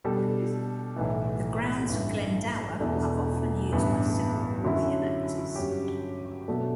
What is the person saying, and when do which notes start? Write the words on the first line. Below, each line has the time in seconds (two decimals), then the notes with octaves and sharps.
The grounds of Glendower are often used by Civil War reenactors.
0.04 B2 G3 D4 A4
0.96 B1 A2 E3
1.88 A1 G2 E3
2.80 E1 E2 B2 A3 D4
3.72 A1 G2 E3 B3
4.64 F#2 D3 F#3 C#4 E4
5.56 G2 F#3 C#4 G4
6.48 B2 F#3 A3 D4